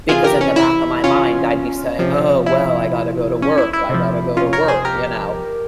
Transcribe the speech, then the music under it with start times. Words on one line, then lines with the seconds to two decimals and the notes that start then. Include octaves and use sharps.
because in the back of my mind, I'd be saying, "Oh, well, I gotta go to work, I gotta go to work," you know.
0.09 C3 E3 F4 G#4
0.24 G4 A#4
0.41 C#4
0.56 E4
1.04 C#4 F4
1.99 C3 F3
2.46 E4
3.42 C#4
3.58 E4
3.73 E4
3.89 C3
3.94 F3
4.37 C#4 F4
4.53 A#4 C#5
4.68 G#4 C5
4.85 G4 A#4